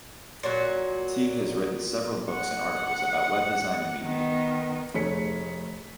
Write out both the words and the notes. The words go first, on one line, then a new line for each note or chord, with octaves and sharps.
Teague has written several books and articles about web design and media.
A#2 F#3 F#4
F#5
D#3 B3
F1 A3 G#4 C#5 B6 C#7